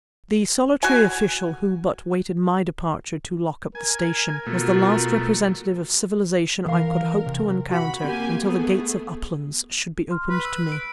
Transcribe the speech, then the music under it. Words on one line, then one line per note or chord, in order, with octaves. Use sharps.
The solitary official, who but waited my departure to lock up the station, was the last representative of civilization I could hope to encounter until the gates of "Uplands" should be opened to me!
F#4 G#5
A#4 G#5
B2 A3 F4 F#4
E3 A#4 F5
C3
F#4 F#5 B5
A#3 C4 G4 G#5
A3 B3 G#4
C6 F6
B4
E6
D7